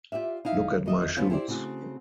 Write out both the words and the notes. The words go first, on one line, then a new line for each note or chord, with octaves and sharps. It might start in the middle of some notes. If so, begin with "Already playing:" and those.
Look at my shoes.
F4 G4 D5 E5
D#4 E4 F5
F2 D#5 E5
F3 A3 B3 C#4 F4
E4 G4 G#4 C5 D5
C#3 A3 C4 F#4